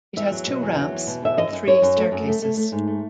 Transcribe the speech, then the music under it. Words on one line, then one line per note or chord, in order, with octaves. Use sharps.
It has two ramps and three staircases.
E2 E5
F#3
B2
E2
F#3
E2
B2
E2 E5
F#2 D#5
F#2
F#2 C#5
F#2
A3
F#2
A3
A3
A3
G#2
A3